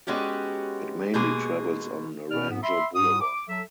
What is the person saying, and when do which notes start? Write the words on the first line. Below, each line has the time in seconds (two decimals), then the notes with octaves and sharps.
It mainly travels on Naranjo boulevard.
0.07 G#3 B3 C#4 F#4 G4
1.14 B2 G#3 A#3 G#4
2.31 B2 B3 C#4 D5 F6
2.50 G#2 B3
2.63 E5 B5 C6
2.95 G#2 G3 F#4 D#6
3.21 D6
3.48 F#3 A4 E5